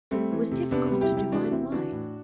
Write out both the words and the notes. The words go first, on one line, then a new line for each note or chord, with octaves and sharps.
It was difficult to divine why.
G3 A3 C4
E3
C3
C3 B3 D4
B3
G3
E4 G4
C3
E4 G4
E3 D4 F#4
F#4
C3 C4 E4
E3 D4 F#4
A2